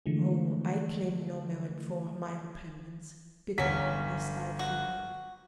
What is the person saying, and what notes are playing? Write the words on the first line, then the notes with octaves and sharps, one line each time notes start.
Oh, I claim no merit for my repentance, bitterly as I feel it!
D3 E3 F3 G#3 A3
G1 F#3 C#4 B6
F#4